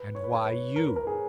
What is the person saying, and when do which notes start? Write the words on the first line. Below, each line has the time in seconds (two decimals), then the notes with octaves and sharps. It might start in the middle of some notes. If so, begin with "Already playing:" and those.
"And why YOU?"
Already playing: B4
0.15 C#5
0.24 B4
0.34 C#5
0.45 B4
0.76 A#4
0.87 B4
0.96 A#4
1.07 G#4